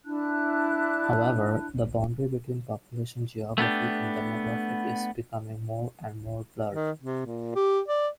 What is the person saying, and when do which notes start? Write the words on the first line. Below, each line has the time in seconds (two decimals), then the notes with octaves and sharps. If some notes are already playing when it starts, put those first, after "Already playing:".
However, the boundary between population geography and demographic is becoming more and more blurred.
0.04 D4 E4 A5 F#6
3.58 A3 B3 D4 G4
6.73 D#3
7.01 C3
7.26 A#2
7.56 G4
7.88 D5